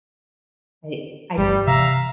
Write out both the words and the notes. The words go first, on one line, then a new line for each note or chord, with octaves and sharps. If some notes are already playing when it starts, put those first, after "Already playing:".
I I
G1 G3 A3 D4
C3 E3 E5 F5 A#5